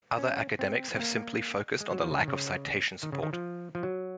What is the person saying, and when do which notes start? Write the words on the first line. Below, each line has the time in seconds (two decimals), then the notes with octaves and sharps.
Other academics have simply focused on the lack of citation support.
0.18 C#4
0.59 C4
0.94 C4
0.99 A#3
1.81 G#3
1.91 F#3
2.01 F3
2.11 C#3
2.19 D#3
2.28 C#3
3.03 D#3
3.12 C#3
3.23 D#3
3.33 F3
3.75 F3
3.83 F#3